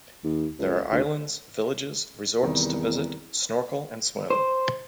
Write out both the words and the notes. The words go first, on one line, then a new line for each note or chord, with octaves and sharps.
There are islands, villages, resorts to visit, snorkel and swim.
D#2
C#2
D2
E2 C3 D#3 G3
C5